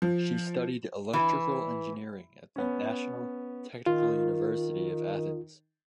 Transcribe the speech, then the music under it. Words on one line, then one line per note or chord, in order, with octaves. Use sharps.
She studied electrical engineering at the National Technical University of Athens.
F3
E3
B3 C#4
D#3 F4